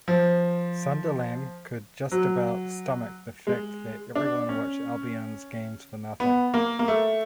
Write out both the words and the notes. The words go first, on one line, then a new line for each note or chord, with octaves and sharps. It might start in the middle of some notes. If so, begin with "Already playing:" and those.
Sunderland could just about stomach the fact that everyone watched Albion's games for nothing.
F3
F#3
G#3
D4
C#4
B3
A#3
A#3
A3